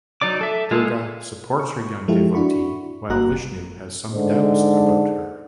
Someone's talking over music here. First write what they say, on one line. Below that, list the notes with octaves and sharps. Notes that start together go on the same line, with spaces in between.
Durga supports her young devotee while Vishnu has some doubts about her.
F#3 D#4 D5 D6
A4 E5
G#3 F4 A4 D#5
C#6
F3 G#3 E4 F4 G4 A4
D4 E4 F#4 B5 C#6
G1 G2 A#3 F#4 A#5 F#6
G#2 D3